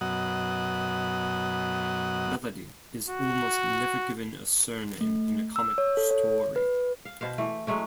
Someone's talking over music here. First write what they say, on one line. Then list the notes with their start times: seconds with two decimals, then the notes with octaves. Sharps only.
Melody is almost never given a surname in a comic story.
0.01 F#2 B2 F#3 D#5 F#5
3.08 F#4
5.01 A3
5.56 E6
5.78 C#5
5.97 A4
6.11 C#5
6.56 B4
7.05 F5
7.21 B2 C5 F5
7.38 E3 A3
7.67 F#3 G#3 A3 C#4